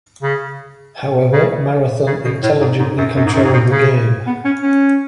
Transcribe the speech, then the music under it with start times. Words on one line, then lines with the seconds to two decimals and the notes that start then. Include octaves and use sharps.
However, Marathon intelligently controlled the game.
0.23 C#3
1.32 C#3
2.06 C#3
2.25 B2
2.43 A2
2.60 G#2
2.79 G#2
2.97 F#2
3.16 F#2
3.25 G#2
3.35 F#2
3.44 G#2
3.53 B2
3.71 C#3
4.27 B3
4.45 C#4
4.63 C#4